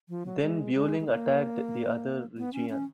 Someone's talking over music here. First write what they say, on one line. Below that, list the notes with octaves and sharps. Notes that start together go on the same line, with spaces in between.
Then Beurling attacked the other Reggiane.
F3
F#3
G#3
G#3
G#3
A#3
B3
C#4
C#4